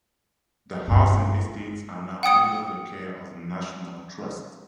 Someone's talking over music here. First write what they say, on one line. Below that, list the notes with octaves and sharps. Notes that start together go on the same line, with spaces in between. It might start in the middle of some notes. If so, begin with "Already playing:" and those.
The house and estate are now under the care of the National Trust.
G2 E4
F#5 G5 D#6 C#7